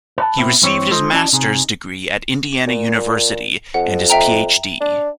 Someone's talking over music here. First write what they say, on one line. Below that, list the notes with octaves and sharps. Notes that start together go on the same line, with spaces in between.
He received his master's degree at Indiana University, and his PhD.
B4 A5
B2 A#3 C4 E4
G2 E3 C4 C#5
G#3 F4 A4 C5 D#5
C#4 E4 F#4 D5 D#5 A5
C3 D#4 G#4
A#2
F2 F#5
E5 G5 A#5
D4